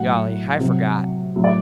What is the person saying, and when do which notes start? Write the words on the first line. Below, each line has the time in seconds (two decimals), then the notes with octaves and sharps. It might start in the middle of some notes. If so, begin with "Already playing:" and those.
Golly, I forgot.
Already playing: A2 F#3 F#5
0.59 C3 F#3
1.36 A2 F#3
1.44 D5